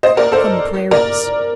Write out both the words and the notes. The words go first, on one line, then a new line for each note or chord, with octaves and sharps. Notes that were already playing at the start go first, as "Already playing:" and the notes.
From the prairies.
C5 D#5
A#4 D5
A4 C5
A#4 D5